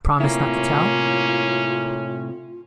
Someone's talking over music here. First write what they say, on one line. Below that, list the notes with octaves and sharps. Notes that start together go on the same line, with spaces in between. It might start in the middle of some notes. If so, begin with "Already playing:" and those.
Promise not to tell?
A2 C3 A#3 C#4 E4 F4